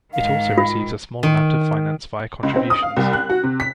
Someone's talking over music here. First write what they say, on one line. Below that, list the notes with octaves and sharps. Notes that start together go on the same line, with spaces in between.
It also receives a small amount of finance via contributions.
G#2 D#3 F5
F4
D#3
C#2
C4
D#6
F5
C2
F#6
F#4
C3
B6